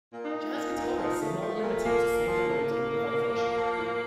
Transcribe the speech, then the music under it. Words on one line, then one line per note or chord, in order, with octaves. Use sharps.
Jazz guitarists are not limited to single note improvisation.
A#2
D#4
A#2
A#2
A#2
F3
A#2 A3
F3
A#2
F3 A#3
A#2
F3
A2
A2
A2
A2
F3
F3
A2